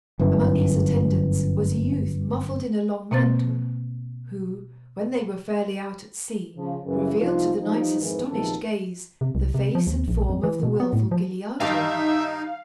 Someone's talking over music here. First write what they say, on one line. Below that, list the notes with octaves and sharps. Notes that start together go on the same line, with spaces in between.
Among his attendants was a youth muffled in a long mantle, who, when they were fairly out at sea, revealed to the knight's astonished gaze the face and form of the wilful Guilliadun.
G1 F#2 E3
B2 A#3 C4 C5 A6
C#3 F3
F#2 C#3 E3
C2 F3 D#4 F4
E3 F3 G3 D#4
F2 G#2 D#3 E3
A#1 E2 C3 D#3 F3 A4
C3
C2
C3
F3
D#2
A#1
F2
E3
B2
B3
A2
F3
G2 D#3 G3 D#4 E5 F5